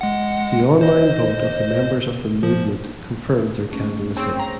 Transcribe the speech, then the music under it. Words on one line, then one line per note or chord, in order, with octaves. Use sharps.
The online vote of the members of the Movement confirms their candidacy.
G#3 F#5
C5 D#5
F3
A3 C#4
C4 G#4 C#5 C#6
C#5 A#5